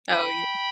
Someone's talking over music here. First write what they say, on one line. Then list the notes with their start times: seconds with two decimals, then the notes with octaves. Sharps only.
Oh, yeah.
0.11 D3 F3 C4 G5 B5